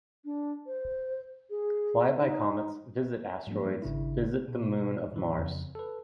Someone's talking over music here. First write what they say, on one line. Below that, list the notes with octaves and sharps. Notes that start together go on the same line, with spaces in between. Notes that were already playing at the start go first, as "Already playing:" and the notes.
Fly by the comets, visit asteroids, visit the moon of Mars.
D4
C5
G#4
D#4
G#2 F3 G3 A#3 D4
G#1 C#3 D4 E4
B2
A2 D3 E3
F2 C#3
A4 B4